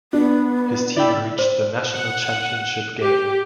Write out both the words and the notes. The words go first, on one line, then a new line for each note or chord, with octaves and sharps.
His team reached the national championship game.
B3 D4
E4 D5 G5 B5 E6
C5
F#5
G4